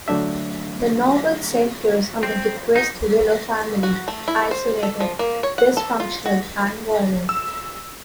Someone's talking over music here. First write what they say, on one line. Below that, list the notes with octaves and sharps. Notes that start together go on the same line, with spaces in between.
The novel centers on the depressed Willow family, isolated, dysfunctional and violent.
D3 F#3 A3 D4 E5
C4
D#4
F#4
A3
E4
C5
A4
F3
A#3
C#5
F#5
A4
F4
F#4
E6